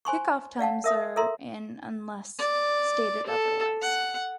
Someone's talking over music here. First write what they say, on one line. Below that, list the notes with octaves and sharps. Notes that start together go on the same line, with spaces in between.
Kickoff times are in unless stated otherwise.
C5 G#5 C6 C#6
D5 F5 F#5 A5
A#4 E5 D#6
A4 A#4 E5 A#5 C6
D5
A4
F#5